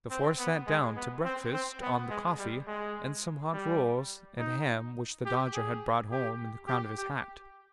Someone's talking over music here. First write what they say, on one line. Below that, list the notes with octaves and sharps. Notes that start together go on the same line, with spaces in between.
The four sat down, to breakfast, on the coffee, and some hot rolls and ham which the Dodger had brought home in the crown of his hat.
C4
B3
G#3
B3
C4
C4
B3
G#3
G3
G#3
G3
D#4
G4
G#4
G4
G4
G4